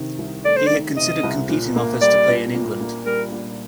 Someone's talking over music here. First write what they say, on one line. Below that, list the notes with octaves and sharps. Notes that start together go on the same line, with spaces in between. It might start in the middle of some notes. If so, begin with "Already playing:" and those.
He had considered competing offers to play in England.
Already playing: C3 D#3
C2
A3 D5
C5
D#3 D5
C3 D#5
C2
A#2
A#3
G3 D5
A#2
A#2
A#3
G3 A#4
A#2